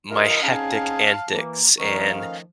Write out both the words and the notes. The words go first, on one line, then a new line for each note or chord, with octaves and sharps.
my hectic antics and
G2 F4 A#4 D#5 E5
C4 C#4 D#4 G#4 F5 A5
E3 A#3
D#3 F3 A3 C#4 A#4 C#6
F5